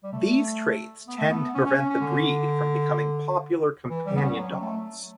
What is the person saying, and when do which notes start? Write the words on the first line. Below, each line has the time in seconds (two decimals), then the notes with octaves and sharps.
These traits tend to prevent the breed from becoming popular companion dogs.
0.04 G3
0.13 A3
1.07 B3
1.18 A3
1.30 B3
1.54 C#4
1.66 C#4
1.78 C#4
1.90 C#4
2.01 D3
3.90 E3
4.06 G3
4.17 B3
4.21 C#4
4.37 F#3
4.61 A3